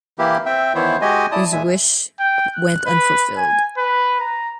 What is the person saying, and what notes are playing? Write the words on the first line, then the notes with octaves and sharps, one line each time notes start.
His wish went unfulfilled.
E3 A#3 E4 G4
C4 E5 G5
D#3 E3 B3 E4 C5 C#5
G#3 F#4 G4 D#5 G#5
E4 D5 A5 D#6
D#2 A#2 G#3 E5 G#5
G5
F#6
B4
G#5
B4
A#5